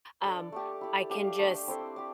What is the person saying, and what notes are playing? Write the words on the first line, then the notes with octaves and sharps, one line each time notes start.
um, I can just
D4 A4 D5
A3 D4 G4
E4 G4 D5
D4 G4 D5 F5
A3 D4 G4 D5
C4 E4 A4 C5
G4 D5